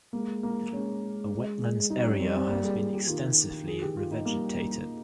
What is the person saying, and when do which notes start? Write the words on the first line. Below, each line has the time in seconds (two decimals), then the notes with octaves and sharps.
A wetlands area has been extensively revegetated.
0.13 G#3 A#3
0.43 A#3
0.72 G#3 C#4
1.90 G3 D#4
2.04 C#4
2.20 C4
2.35 C4
2.49 A#3
2.64 G#4
2.79 G#4
2.94 G4
3.08 D#3 F4
3.67 G#4
3.82 G4
3.97 F4
4.11 D#4
4.25 G3 A#3
4.55 A#3